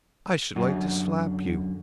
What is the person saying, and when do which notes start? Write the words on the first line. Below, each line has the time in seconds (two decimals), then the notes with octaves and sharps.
"I should like to slap you."
0.56 F#2 D3